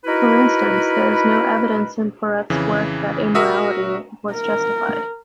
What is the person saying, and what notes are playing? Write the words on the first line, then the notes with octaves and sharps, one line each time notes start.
For instance, there is no evidence in Porete's work that amorality was justified.
D#4 E4 F#4 A#4 B4 B5
F2 C#3 E3
F#4 A#4 E5 D#6 E6
A#4